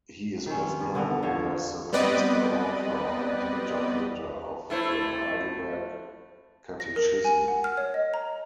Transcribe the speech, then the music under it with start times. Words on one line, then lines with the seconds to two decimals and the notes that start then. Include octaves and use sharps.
He is best known as the principal author and interpreter of the "Heidelberg Catechism".
0.46 D#3 C4 C#4
0.80 G2
0.95 D3 B3 A#4
1.23 D3 F3 C4 C#5
1.93 G3 B3 C4 B4 D5 D#5
4.70 A3 E4 C5
6.80 A#6
6.96 A#4
7.25 G#5
7.48 F#5
7.64 F6
7.77 C#5
7.94 D#5
8.14 A#5